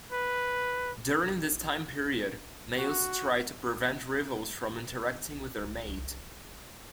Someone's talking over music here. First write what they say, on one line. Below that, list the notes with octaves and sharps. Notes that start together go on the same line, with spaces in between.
During this time period, males try to prevent rivals from interacting with their mate.
B4
F#4